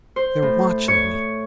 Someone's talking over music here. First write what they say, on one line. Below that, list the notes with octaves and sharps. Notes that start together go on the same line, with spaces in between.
They're watching me.
C5
A2
C#5